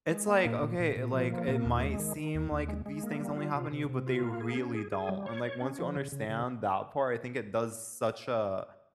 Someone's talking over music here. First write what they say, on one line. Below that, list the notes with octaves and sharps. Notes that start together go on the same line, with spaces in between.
It's like, "Okay," like, "it might seem like these things only happen to you, but they really don't." And, like, once you understand that part, I think it does such a
G#3
A#3
A#2
A#2
A#2
A#2
F3
A#3
A#2
D#2
G#3
D#3
D#3
D#2
D#2
G#3
G#3
A#3
G3
F4
C3
C3
C3
F4
A#3
G#4
C#4
G#4
G#4
G3
C#5
C#5
C#4
F3
C#3
C#3
C#3